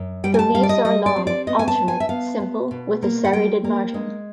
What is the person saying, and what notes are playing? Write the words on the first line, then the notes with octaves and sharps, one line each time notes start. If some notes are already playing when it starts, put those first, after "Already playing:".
The leaves are long, alternate, simple, with a serrated margin.
Already playing: F#2
G3 G5
G#5
A5
G3 F5
D5
D#5
G3 D#5
D5
C4
D5
B3 D#5
G#5
A5
B3
G#5
E5
B3 F5
B3
B2
A#3
F#5
G3 G5
A#3
G#3